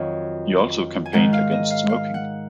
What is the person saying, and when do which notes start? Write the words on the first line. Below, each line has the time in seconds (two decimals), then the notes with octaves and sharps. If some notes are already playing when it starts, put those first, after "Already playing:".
He also campaigned against smoking.
Already playing: F2 D#3 F#3 D#5
1.06 G#5
1.13 G#2 D#3 G#3 F#5
1.33 F5
1.51 D#5
1.70 F5
1.89 F5
2.14 F#5